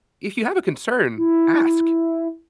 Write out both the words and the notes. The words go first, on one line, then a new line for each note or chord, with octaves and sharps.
"If you have a concern, ask.
E4